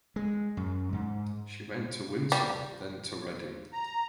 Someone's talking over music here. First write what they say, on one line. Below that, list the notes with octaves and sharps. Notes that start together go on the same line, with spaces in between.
She went to Windsor then to Reading.
G#3
F#2
G#2
G3
A#5